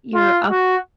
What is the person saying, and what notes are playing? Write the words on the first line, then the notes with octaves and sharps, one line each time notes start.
you're up
F4
F#4